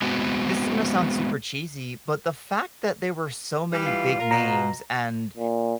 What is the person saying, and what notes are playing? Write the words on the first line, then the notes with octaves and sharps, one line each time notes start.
this is gonna sound super cheesy, but the fact that there were so many big names and
G#3 B3 C4 F#4
E3 G3
F4
A#4
B2 A#5
A#2